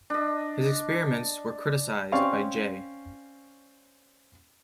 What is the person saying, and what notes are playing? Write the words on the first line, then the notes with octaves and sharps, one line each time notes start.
His experiments were criticised by J.
D4 D#5
C4 C#4 D5 F5 C#6